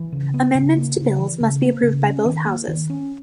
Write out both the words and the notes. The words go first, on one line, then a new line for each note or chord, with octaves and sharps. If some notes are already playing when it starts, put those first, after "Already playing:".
Amendments to bills must be approved by both houses.
Already playing: E3
C#3
B3
C#3
A#3
C#3
E3
C#3
A#3
C#3
C#4
D#3
A#3
D#3
C#4